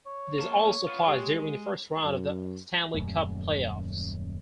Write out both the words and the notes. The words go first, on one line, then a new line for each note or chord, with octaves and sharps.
This also applies during the first round of the Stanley Cup playoffs.
C#5
A#3 A5
B3 F4
G#3 G4
F#2
D#1 F#2 A3